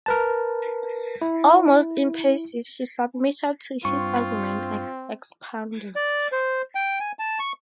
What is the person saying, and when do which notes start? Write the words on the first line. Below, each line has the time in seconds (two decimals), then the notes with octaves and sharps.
Almost impassive, she submitted to his argument and expounding.
0.06 A#4 B4 A5
1.22 E4
3.85 G2 C4 F4 C#6
5.96 D5
6.32 C5
6.75 G5
7.00 G#5
7.19 A5
7.39 C#6